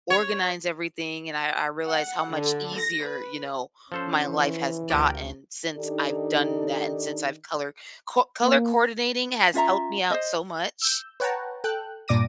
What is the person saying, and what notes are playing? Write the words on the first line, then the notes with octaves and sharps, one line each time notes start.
organize everything," and I I realized how much easier, you know, my life has gotten since I've done that and since I've color co Color coordinating has helped me out so much.
C#5
F#5
D3
A#6
B4
F3 C#4 A4 C5
E3
D2 G4 A#4 D5
D#3 D4 D#4 G4 A4 D5
A#3
C#4 F4 E5 A#5
C5 D#5
E6 G6
B4 C#5 F#5 G5 A5 A#5
A4 G5 F#6
G2 A#2 D5 D6 A#6 D#7